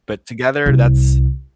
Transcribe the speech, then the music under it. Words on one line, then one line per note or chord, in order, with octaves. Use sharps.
but together, that's
C2